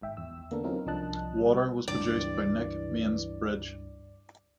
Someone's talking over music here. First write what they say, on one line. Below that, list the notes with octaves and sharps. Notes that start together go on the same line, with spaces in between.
"Water" was produced by Nick Mainsbridge.
G#1 G#2 E5 G5
E2 E6
D3 A#3 B3 D4 A4 A#4
F#3 C4 C#4 D#4 F4 A#4
C2 F3 D4 D#5 A5 F#6
G3
C#2 G2 E3 D5